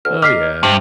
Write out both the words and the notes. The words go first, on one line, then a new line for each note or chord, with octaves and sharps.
Oh, yeah.
D2 F6
D#4 D6 F6 B6 C7
G2 C3